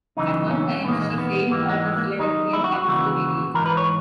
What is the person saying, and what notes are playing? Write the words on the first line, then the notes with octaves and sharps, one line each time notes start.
At one time she sailed out of Philadelphia, Pennsylvania.
F#2 C#3 E3 D#4
C#4
E2 D#3 A#3 B3
G#3
A#3
B3
G#2 E3 A#3
G#3
G#3
A#3
F#2 D#3 D#4
E4
F#4
F#4
D#2 C#3 E3
G#2 E3 A#4
B4
C#5